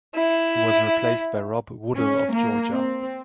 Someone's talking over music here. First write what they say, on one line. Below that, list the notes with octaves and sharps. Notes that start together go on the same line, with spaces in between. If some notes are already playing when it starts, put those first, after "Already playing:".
He was replaced by Rob Woodall of Georgia.
E4
C#4
A#3
C4